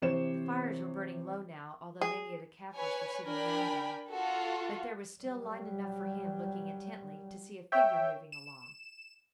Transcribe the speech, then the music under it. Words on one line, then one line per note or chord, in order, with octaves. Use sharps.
The fires were burning low now, although many of the Kaffirs were sitting round them; but there was still light enough for him, looking intently, to see a figure moving along.
C3 E3 C5 C#5 E7
G#4
B4 C#5 G#5
D4 A#4 G5 G#5 B5
F4 F#4 A4
F#3 G3
C#5 E5 G5
E7